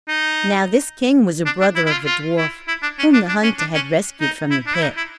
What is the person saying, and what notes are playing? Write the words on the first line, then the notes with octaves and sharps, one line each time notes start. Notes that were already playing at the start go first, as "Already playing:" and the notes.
Now this King was a brother of the dwarf whom the hunter had rescued from the pit.
D#4
D4
D4
E4
E4
F4
F4
E4
E4
D4
C#4
D4
D4
C#4
D4
C#4
D#4
E4
D4
E4
D#4
E4